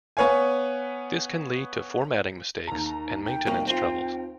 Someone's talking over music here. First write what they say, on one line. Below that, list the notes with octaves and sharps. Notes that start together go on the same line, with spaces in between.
This can lead to formatting mistakes and maintenance troubles.
B3 B4 C#5 F5 G#5
D#2 A#5
G5
C2 B2 A#3
C4 F4